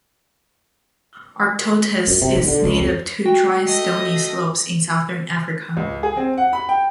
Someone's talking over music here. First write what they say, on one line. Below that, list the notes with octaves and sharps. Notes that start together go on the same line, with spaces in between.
"Arctotis" is native to dry stony slopes in southern Africa.
F#2
C3
B1
D3
C#2
F2
F#4 G5
A3 D#5
C#2
G#4
C4
F#5
B5
G5